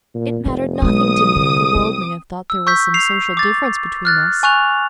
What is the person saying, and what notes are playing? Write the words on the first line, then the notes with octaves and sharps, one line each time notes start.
It mattered nothing to me that the world may have thought there was some social difference between us.
A#2
F1 F3
B1 E3 G#3 D#6
C2 D3
C4
E6
C#6 E6 G6 B6
C7 F7
D6 A6
F6 F#6 A6
G#5 C#6 F#6 F7